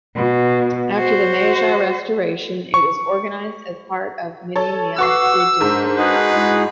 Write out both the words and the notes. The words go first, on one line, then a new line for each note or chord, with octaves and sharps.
After the Meiji Restoration, it was organized as part of Minamiaizu District.
B2
F#4 C5
C#6
A4 C#5
F#4 B4 F#5 C#6 D6 E6 C7
G#2 D4 A#4 C5
D#4 F#4 G#4 B4
G#3 E4